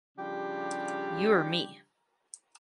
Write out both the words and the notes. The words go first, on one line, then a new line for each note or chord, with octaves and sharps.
You or me?
C#3 F3 G3 D4 G4